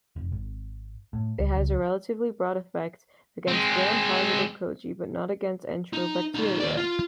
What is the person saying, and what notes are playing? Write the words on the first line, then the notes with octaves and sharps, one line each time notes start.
It has a relatively broad effect against Gram-positive cocci but not against enterobacteria.
F1
G#1
A2
C#2
C#2
G#3 C4
D#4
G3 D#4
D#2 D5
F4